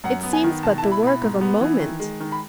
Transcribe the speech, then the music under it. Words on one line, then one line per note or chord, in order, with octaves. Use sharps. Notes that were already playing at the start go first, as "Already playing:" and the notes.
It seems but the work of a moment.
F#2 F#5
B3
G#5
D#3
B2 A5
A5
E4
B5
B2 B5
G#2
B3
E3
D#3
G#3
D#3
B5